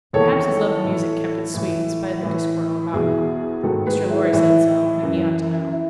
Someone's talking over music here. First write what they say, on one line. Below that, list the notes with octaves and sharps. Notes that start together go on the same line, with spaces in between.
Perhaps his love of music kept it sweet in spite of the discord all about him; Mr. Laurie said so, and he ought to know.
E2 D#3 A4 C#5
A2 E3
A2 E3
A2 E3
E2 B2 E4 G#4
G#2 D#3 F#4 A4
G#4 B4
E4 G#4
A2 E3 E4
F#2 E3
E4